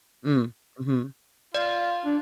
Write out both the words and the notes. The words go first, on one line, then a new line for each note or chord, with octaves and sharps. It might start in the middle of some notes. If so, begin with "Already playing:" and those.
Mm, mhm.
F4 D5
D4